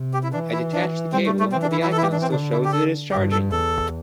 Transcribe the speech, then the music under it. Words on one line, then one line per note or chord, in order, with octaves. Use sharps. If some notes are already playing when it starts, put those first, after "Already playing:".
I detached the cable, but the icon still shows it is charging?
Already playing: C3
G4
E4
E3 D4
E4
D4
G3 C4
A3
A3
E3 C4
D4
E4
E4
A4
E4
G4
D4
C4
D3 D4
E4
G4
A4
G2 G4
A4
E2 A4